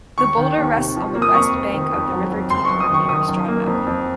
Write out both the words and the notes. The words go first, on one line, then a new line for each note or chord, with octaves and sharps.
The boulder rests on the west bank of the River Deehan near Stradbally.
D#2 C#6
D#3
D#2
C3
F3
A#3
D#6
F2 C#6
F1
D#3
F2
F#3
F2
F#1 C6
C#6
F#1
D#6
D#3 C#6
D#3 D#6
F#2
A#3
F2
F2